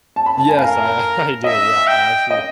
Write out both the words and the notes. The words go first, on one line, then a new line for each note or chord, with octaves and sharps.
Yes, I I do, yeah, I actually
A5
B5
A5
G#5
A#4 F5
D#5 E5
G5
D#5